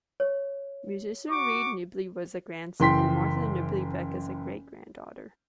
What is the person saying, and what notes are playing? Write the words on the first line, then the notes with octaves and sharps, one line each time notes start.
Musician Reid Nibley was a grandson, and Martha Nibley Beck is a great-granddaughter.
C#5
F#4 C#6 D6
F#1 E3 G5 C6 B6